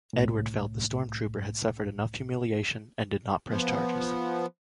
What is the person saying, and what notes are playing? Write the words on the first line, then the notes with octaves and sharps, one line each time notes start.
Edward felt the Storm Trooper had suffered enough humiliation and did not press charges.
C2 A2
F3 B3